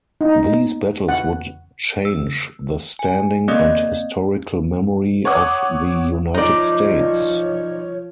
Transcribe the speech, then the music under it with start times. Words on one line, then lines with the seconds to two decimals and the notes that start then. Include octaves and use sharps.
These battles would change the standing and historical memory of the United States.
0.21 D#4
1.09 F#5
2.05 E6
2.99 G#5
3.48 A#3 C4 D5 D#5 D#6
5.25 C#5 F#5 D6 D#6
6.34 F3 D#4 C#5 D5